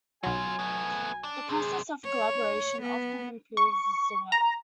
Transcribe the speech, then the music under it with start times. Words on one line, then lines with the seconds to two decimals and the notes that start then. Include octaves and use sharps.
The process of collaboration often improves the work.
0.23 B1 F#3 C#4 F4 G#5
0.59 A3 B3
1.24 D4
1.49 F#2 C3 G#4
2.04 C#5
2.82 B3
3.57 C#6
4.32 A#5